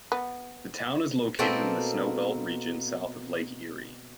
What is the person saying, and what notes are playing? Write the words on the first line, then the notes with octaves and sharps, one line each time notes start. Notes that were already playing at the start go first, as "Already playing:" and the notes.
The town is located in the snowbelt region south of Lake Erie.
B3
B2 A#3 C4 A4